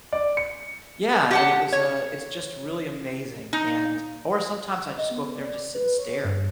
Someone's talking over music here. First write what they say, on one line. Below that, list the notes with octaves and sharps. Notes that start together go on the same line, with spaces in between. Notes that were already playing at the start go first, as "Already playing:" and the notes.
yeah, and it was, uh, it's just really amazing, and or sometimes I just go up there and just sit and stare
D5
C#7
G4 F#5 A5
C#5
D#4
D#5
B3
D5
B4
C#5
G2